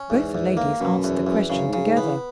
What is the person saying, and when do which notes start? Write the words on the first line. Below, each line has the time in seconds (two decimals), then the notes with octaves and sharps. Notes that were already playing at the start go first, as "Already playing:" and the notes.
Both the ladies answered the question together.
Already playing: C#4
0.10 E2 G#2
0.35 E2
0.57 A#3
0.81 F#2 B2
1.04 E2
1.27 E2
1.50 F#2 C#3
1.68 G#2
1.73 F#2 C#3
1.85 G#2
1.97 B3
2.02 E3